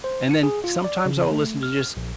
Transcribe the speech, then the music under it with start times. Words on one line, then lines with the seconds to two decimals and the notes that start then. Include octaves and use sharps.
And then sometimes I'll listen to just,
0.04 C5
0.31 C#7
0.43 G#4
0.64 F4
0.84 D5
1.06 C#3
1.31 A3
1.63 F6
1.97 A#1